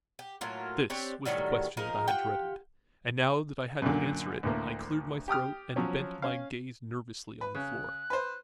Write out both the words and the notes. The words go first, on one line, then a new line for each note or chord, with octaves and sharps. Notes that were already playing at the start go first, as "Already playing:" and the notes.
This was the question that I had dreaded, and now that I had to answer it I cleared my throat and bent my gaze nervously on the floor.
G4
A2 F#3 A#3 F4
C4 D4 G4 C#5
A2 D#3 F#3 G3
F3 D#4 G#4 A#4
F4 G4 F#5 G5
F#2 A#2 D3
D2 A2 A#3
G4 G5 D#6 F6
F3 F#3 C#4
C#4 F5
B4
C#3 F#6
B4 C5